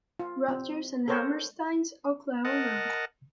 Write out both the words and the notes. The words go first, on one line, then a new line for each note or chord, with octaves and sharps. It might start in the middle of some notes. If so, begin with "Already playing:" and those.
Rodgers and Hammerstein's Oklahoma!
F4
C4
A4 A#4 C5 C#5 G5
A#4 D#5 F#5 A5